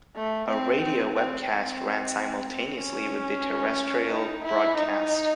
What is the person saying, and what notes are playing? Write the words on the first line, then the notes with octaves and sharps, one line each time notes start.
A radio webcast ran simultaneously with the terrestrial broadcast.
A3
C4
C4
C4
C4
C#4
D#4
E4
D#4